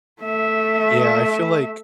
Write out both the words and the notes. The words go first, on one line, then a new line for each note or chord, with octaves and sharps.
yeah, I feel like
A3 E5